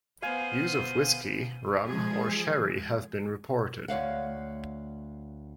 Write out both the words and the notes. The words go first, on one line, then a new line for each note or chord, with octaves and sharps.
Use of whisky, rum, or sherry have been reported.
B3 C5 F5 G#5 D#7
F3 G#3 G#4
D2 C#5 F5 F#5